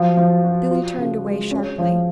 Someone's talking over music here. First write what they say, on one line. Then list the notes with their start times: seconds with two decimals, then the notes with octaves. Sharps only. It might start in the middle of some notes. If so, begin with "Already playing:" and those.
Billy turned away sharply.
Already playing: F3 F#3
0.17 F3
0.43 F#4
0.71 F4
0.98 C#3
1.25 G#3
1.51 C#4
1.78 F3